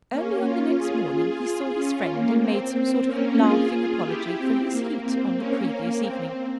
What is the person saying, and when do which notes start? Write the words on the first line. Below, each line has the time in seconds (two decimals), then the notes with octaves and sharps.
Early on the next morning he saw his friend and made some sort of laughing apology for his heat on the previous evening.
0.11 A#3 C#4
0.44 C#4 F4
0.76 F4 G#4
1.09 F4 G#4
1.42 F4 G#4
1.74 C#4 F4
2.07 A#3
2.41 C4
2.74 C4
3.06 A#3 C#4
3.39 F4 G#4
3.72 F4 G#4
4.05 E4 G4
4.38 C4
4.71 A#3
5.04 C4
5.36 A#3 C#4
5.69 A#3
6.02 C4